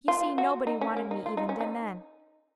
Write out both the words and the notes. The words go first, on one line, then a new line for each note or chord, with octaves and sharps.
You see, nobody wanted me even then.
F4
F#4
D#4
C#4
A#3
D#4
F4
D#4
C#4
D#4